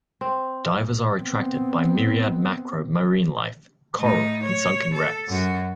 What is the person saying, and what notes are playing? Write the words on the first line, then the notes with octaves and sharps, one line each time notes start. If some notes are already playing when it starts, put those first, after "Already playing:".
Divers are attracted by myriad macro marine life, coral and sunken wrecks.
C4
B3 C4
A2 D#4
C#5
A4
F#2 F#4